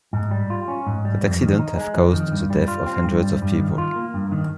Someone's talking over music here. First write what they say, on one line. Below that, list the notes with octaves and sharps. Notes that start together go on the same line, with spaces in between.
That accident have caused the death of hundreds of people.
G#2
G3
F4
C#4
G#2
G3
F2
D#3
D#4
G#3
F2
D#3
G2
G3
F4
C4
G2
G3
G2
D#3
F4
A#3
G2
D#3